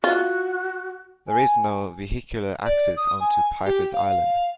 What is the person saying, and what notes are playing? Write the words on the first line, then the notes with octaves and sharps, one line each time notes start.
There is no vehicular access onto Pipers Island.
F4 F#4
G#5
D5
D#6
G#5
G4
F5